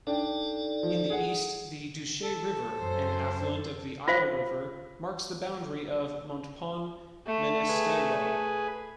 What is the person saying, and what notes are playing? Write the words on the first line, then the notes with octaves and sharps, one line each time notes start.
In the East, the Duche River, an affluent of the Isle River, marks the boundary of Montpon-Ménestérol.
D4 D#4 A4 D5 G5
F3
G#4 F#5
A4
F#2 C5
F4 C5 F5
A3
G#4 B4